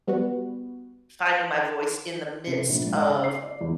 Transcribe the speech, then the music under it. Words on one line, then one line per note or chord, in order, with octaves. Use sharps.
finding my voice in the midst of
G3 B3 F#4
C3
A#1
G#1
C#3
C7
D5
E2